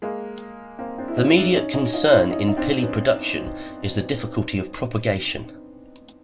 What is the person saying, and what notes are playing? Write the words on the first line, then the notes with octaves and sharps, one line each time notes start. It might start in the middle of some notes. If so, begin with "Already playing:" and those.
The immediate concern in pili production is the difficulty of propagation.
G#3 A#3
A#3 C4
C4 D4
E4
C#4 D#4
D4 E4
C#4 D#4
C#4 D#4
D#4 F4
D4 E4
C#4 D#4
D#4
C4 D4
B3 C#4